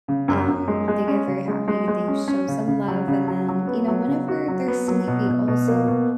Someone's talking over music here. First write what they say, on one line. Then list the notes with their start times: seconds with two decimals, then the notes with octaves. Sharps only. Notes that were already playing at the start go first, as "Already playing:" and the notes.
um, they get very happy, they show some love, and then, you know, whenever they're sleepy also,
0.08 C#3
0.28 F#2
0.48 F#2
0.68 G#3
0.88 G#3
1.08 C#4
1.27 C#3
1.48 G#3
1.68 G#3
1.88 G#3
2.08 C#4
2.28 C#4
2.48 C#3
2.68 C#3
2.88 F#3
3.08 C#3
3.28 F#3
3.48 F#3
3.67 B3
3.88 F#3
4.07 C#3
4.28 F#4
4.48 F#3
4.68 B3
4.88 F#3
5.07 B2
5.28 B2
5.48 B2
5.68 A#3
5.88 B2